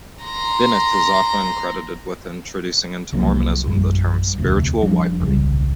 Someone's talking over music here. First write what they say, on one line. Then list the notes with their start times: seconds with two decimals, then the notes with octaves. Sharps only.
Bennett is often credited with introducing into Mormonism the term spiritual wifery.
0.25 A#5 C6
3.12 C2 F3 F#3 A#3
3.66 A#1 F#2 G3
4.38 E1 D2 C3 A3
4.82 F1 F3 G3 D4
5.21 D#1 C2 C#3 G3